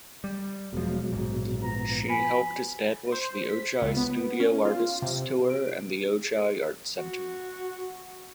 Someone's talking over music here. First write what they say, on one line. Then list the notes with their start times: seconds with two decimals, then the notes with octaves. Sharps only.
She helped establish the Ojai Studio Artists Tour and the Ojai Art Center.
0.24 G3
0.73 E1 B2 F3 F#3 G#3
1.11 A#1 G#2
1.63 F3 B3 A#5
2.10 G#5 B5
3.12 C5
3.49 B6
3.82 C#2
3.97 B3
4.40 C#4
4.65 F4
5.02 C3
5.50 D7
6.98 F#4